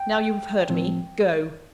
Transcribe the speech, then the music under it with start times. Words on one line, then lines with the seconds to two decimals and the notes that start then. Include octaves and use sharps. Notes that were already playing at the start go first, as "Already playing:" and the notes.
Now you have heard me, go!
Already playing: G5
0.70 A2 F3 C4